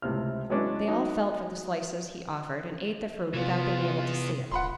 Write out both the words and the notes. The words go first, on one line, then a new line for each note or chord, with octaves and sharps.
They all felt for the slices he offered and ate the fruit without being able to see it.
C#2 A2 C3 F6
F#3 G#3 B3 C#4 D4 E4
F#3 D#4
C3 E3 B3 F4
D1 F4 F#5 B5 C6